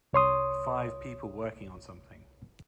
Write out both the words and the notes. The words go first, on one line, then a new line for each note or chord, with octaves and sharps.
Five people working on something.
C2 C#5 C6 D#6